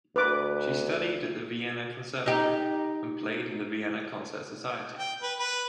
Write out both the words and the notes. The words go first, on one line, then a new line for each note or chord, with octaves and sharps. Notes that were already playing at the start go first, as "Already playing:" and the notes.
She studied at the Vienna Conservatory and played in the Vienna Concert Society.
D2 B4 D6
D#4 G4
G5
B4
B4